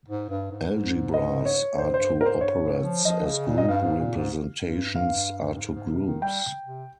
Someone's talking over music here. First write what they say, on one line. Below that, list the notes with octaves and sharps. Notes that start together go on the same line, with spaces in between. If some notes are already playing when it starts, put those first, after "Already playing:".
Algebras are to operads as group representations are to groups.
G#2
G2
G#2
D#5
C#5
G#2 C5
G2 C5
G#2 A#4
C5
G2 C#5
G#2
F3
F3 D#5
C#3
A#2
D#5
G2 F5
G#2
A#2
G#2
G2
F5
G2
G#2
G#2
C3
D#3
G3 G5
C3